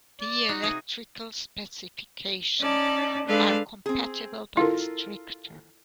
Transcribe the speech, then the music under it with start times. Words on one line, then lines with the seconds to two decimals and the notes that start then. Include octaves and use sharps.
The electrical specifications are compatible, but stricter.
0.20 D5
0.49 D#4 F#4
0.63 C3 D#4 G#4 D#6
2.60 C#4 D#4 D5 A5
3.25 G#3 D4 A4 B4 F5
3.86 C4 G#4
4.57 E4 F4 A4 A#4